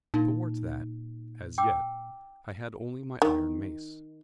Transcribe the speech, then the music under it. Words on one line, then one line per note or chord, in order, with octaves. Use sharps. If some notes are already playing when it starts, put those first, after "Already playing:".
Towards that, as yet, I had only my iron mace.
A#2 D#4
G5 D6 E6
D#3